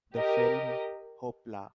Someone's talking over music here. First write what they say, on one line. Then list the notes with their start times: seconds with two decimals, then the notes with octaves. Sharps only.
The film Hoppla!
0.15 G4 A#4 D#5